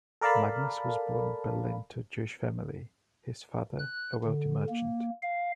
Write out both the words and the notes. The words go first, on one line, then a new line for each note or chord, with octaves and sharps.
Magnus was born in Berlin to a Jewish family, his father a wealthy merchant.
A4 A#4 D5 F5 A5 B5
F#6
D3
A#3
F5